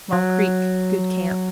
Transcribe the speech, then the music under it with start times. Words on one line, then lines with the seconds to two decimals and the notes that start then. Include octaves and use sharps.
Small Creek.--Good camp.
0.13 F#3